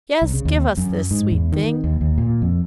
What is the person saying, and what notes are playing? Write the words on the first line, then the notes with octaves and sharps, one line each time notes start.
Yes, give us this; sweet thing!
C2
C#3
D#2
F#2
G#2
E2
D#3
D#2
D#2
A#2
F2